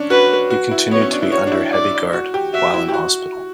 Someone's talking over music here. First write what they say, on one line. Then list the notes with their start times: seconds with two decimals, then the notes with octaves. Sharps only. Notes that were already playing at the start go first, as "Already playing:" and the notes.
He continued to be under heavy guard while in hospital.
Already playing: C#4 D4
0.10 F#4 B4
0.50 F#4
0.71 E4
0.91 B3 C#5
1.01 C#4
1.12 D4
1.22 E4
1.31 F#4 C#5
1.47 D4
1.52 E4
1.72 D5
2.13 F#4
2.34 G4
2.54 F#4 E5
2.74 E4
2.89 G4
2.94 F#4